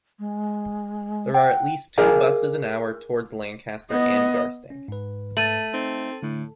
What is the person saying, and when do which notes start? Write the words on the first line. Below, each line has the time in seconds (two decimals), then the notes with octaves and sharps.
There are at least two buses an hour towards Lancaster and Garstang.
0.19 G#3
1.34 F#5 G5
1.98 G#4 A#4 D5 F5 G#5
3.91 B3 D#5
4.70 C#4
4.88 G#2 B4
5.37 A3 A6 D#7 F#7
5.74 C4 D#4
6.23 A2 D3 A3